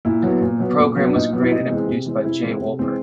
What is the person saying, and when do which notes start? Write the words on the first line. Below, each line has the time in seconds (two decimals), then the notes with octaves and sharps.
The program was created and produced by Jay Wolpert.
0.05 A#2 E4
0.23 F#3 B3
0.41 A#2
0.60 F#3 B3
0.78 A#2
0.96 F#3 B3
1.07 D4
1.14 A#2 D#4
1.33 F#3 B3
1.41 E4
1.50 C3 D#4
1.69 E3 G#3 C4
1.87 C3
2.05 E3 G#3 C4
2.24 C3 E4
2.42 E3 G#3 C4
2.60 C3
2.79 E3 G#3 C4